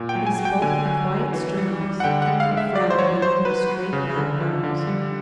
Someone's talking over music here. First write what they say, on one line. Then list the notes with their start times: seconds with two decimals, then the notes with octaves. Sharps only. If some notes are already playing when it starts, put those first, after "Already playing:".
He spoke with quiet sternness, a frown bending his straight black brows.
Already playing: A#2
0.09 G5
0.15 F#3
0.27 G#5
0.39 F#3
0.45 G5
0.62 D3 G#5
0.86 F#3
1.10 F#3
1.33 E3
1.57 G3
1.81 G3
2.00 F#5
2.04 D3 G5
2.22 F#5
2.27 G#3
2.40 F5
2.51 G#3
2.57 E5
2.75 F#3 D5
2.90 C5
2.98 F#3 C#5
3.22 F#3 C5
3.45 F#3 B4
3.70 F#3
3.93 C#3
4.16 D3
4.40 F3
4.64 D3
4.87 G3